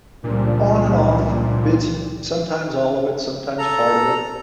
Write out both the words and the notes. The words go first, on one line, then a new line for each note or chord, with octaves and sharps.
On and off, bits and sometimes all of it, sometimes part of it.
C#2 A#2 F3 G3 D4 A#4
A4 A#5